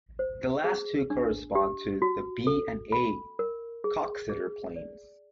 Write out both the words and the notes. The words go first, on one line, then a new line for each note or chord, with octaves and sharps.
The last two correspond to the B and A Coxeter planes.
C5
G#4
D4
G4
F#4
A4
B5
A#4
G#4
G#4
D5